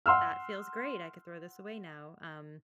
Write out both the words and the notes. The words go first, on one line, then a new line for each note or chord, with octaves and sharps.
"That feels great. I could throw this away now." Um,
F#5 C6 E6 F6